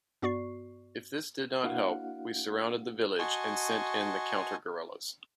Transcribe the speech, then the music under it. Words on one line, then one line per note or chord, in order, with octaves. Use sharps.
If this did not help, we surrounded the village and sent in the counter-guerrillas.
G2 B3 F#4 D5 C#6 C7
A#3 D4 E4 F#4 F5 F#5
F#4 D#5 G#5 A5 C6 C#6